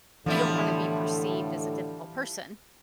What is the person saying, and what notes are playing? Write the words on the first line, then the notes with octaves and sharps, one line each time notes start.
you don't wanna be perceived as a difficult person.
A2 D3 E3 F3 G3 B3 E4